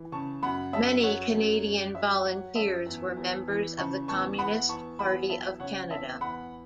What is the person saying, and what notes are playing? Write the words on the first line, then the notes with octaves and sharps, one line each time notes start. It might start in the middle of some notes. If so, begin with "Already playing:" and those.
Many Canadian volunteers were members of the Communist Party of Canada.
Already playing: E3
C#3 A5 C#6
F#2 F#5 B5
F#2 E5 A5
F#3 C#5 F#5
F#2
F#2
F#3 E5
F#3 C#5 F#5
F#2 E5 A5
E2
E2
E3
C#3 A5 C#6
E2 A5 C#6
E2 F#5 B5
E2 A5 C#6
E2 F#5 B5
F#3 E5 A5
C#3 C#5 F#5
E2 E5 A5
E2 F#5 B5